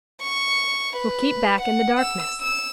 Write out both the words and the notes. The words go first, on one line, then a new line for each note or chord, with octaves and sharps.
We'll keep back in the darkness.
C#6
B4
F#5
E6
E6